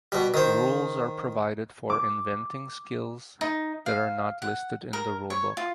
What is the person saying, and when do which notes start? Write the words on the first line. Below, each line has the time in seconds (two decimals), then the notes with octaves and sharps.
Rules are provided for inventing skills that are not listed in the rulebook.
0.12 B2 G3
0.34 D#3 C5
1.90 D6
3.41 D#4
3.86 F5
4.42 F#5
4.93 A#4
5.30 C#5
5.57 F4